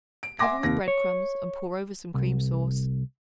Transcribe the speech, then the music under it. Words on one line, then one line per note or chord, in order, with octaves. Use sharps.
Cover with bread-crumbs and pour over some cream sauce.
D7
E5 F#5 G#5 C6 D6 A#6
D#2 C3 A#6
C#5
C2